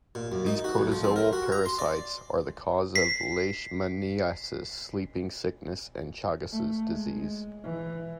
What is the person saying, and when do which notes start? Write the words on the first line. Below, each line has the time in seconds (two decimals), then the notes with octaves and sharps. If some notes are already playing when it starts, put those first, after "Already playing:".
These protozoal parasites are the cause of leishmaniasis, sleeping sickness and Chagas' disease.
0.15 A#2
0.32 F#2
0.46 D#4
0.64 F#4
0.78 B1
0.92 F3
1.04 C4
1.16 A#4
1.33 F#4
1.52 A#5
1.66 C6
1.79 D5
2.95 B6 C7
6.51 A3
6.89 G#3
7.63 E3